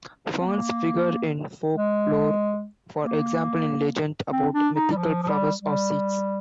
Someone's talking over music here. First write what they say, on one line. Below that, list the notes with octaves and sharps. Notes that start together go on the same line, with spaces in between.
Ferns figure in folklore, for example in legends about mythical flowers or seeds.
C4
A#3
G#3
A#3
C4
D4
D#4
G3
F3
F3
G3
G3